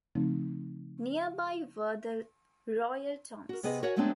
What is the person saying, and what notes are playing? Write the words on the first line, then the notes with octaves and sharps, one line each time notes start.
Near by were the royal tombs.
C#3 F3 A3 C4 D#4
F#4 A#4
C3 B3 G#4 B4 D#5
F#4 A#4 C#5 E5 F#5 G#5
F#3 G#3 A3 B3 C4 D4